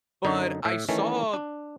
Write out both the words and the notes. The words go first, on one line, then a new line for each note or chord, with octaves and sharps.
But I saw
F#2 D3 D#4
A2 E5
D#3 E3 A3 C#4
D4